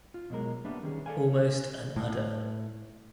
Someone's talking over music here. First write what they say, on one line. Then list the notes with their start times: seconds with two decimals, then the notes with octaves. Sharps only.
Almost an udder.
0.14 F4
0.30 B2 F#3 G#3 A#4
0.65 G3 A#3 B3 D4 E5
0.83 D#3 C#4 G#4
1.06 A4 B4 D5 F5 G#5
1.39 C#4
1.96 A2